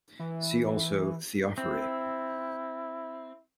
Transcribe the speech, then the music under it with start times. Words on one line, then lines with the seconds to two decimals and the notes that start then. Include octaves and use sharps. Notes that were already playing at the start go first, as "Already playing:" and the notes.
See also Theophory.
0.19 E3
1.58 C4 E4